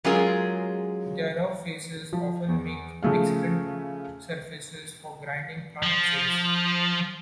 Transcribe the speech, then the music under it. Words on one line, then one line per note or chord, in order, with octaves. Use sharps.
Their rough faces often make excellent surfaces for grinding plant seeds.
F#3 G#3 C#4 F4 G#4 A#4
F3
E2
C#3 F3 A3 G#4 F5
F3